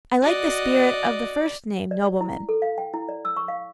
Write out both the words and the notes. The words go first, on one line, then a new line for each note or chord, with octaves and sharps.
I like the spirit of the first-named nobleman.
F#4 D5 D#5
D5
D5
E4
A4
F5
G5
E4
D5
E6
C#6
F5